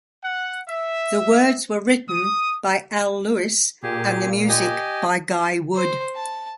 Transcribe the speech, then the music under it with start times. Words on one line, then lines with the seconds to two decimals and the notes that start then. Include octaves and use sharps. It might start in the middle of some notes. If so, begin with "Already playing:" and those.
The words were written by Al Lewis and the music by Guy Wood.
0.22 F#5
0.68 E5
2.09 D#6
3.83 A#2 G4 G#4
4.49 G4 D#5 G#5
5.76 C5
6.15 A5